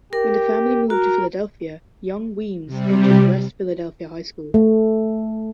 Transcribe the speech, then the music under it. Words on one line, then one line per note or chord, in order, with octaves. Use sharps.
When the family moved to Philadelphia, young Weems entered West Philadelphia High School.
G4 A#4
F#4 A#4
C3 G3
A3